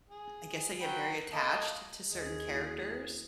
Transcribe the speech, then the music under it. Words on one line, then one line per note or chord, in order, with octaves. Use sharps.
I guess I get very attached to certain characters,
G#4
F#3 G5 B5
A#3 A4 D#5
D#2 G#4 D#5
A#3 E4 F#4